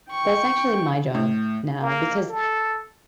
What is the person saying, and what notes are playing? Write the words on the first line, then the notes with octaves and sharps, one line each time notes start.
that's actually my job now because
G5 C#6
A2
A#3
A4